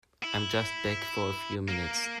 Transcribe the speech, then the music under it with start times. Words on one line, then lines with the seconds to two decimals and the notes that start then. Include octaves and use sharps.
I'm just back for a few minutes.
0.24 E4
1.68 A#3